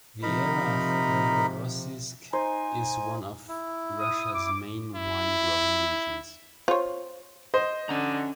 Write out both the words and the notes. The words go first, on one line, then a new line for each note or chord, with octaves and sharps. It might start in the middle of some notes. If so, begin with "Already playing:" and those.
The area of Novorossiysk is one of Russia's main wine-growing regions.
C3 F3 D#4 A#4 B5
D#4 C5 G#5
E4
D#6
D6
E4
F4 C5 C#5
C5 D#5
D3 C#4 A#5